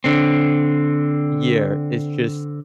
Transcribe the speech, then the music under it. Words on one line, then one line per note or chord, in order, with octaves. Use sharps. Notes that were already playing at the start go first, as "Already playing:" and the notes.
year is just
D3 C4